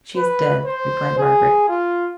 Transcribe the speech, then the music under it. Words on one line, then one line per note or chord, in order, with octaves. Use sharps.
'She is dead,' replied Margaret.
B4
C5
G#4
F4